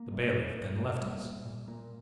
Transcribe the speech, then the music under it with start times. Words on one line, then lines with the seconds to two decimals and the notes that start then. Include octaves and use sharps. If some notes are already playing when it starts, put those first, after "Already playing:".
The bailiff then left us.
Already playing: A#3
0.12 G3
0.35 A#2
0.57 A#2
0.79 A#3
1.01 G3
1.24 A#2
1.46 A#2
1.68 A#3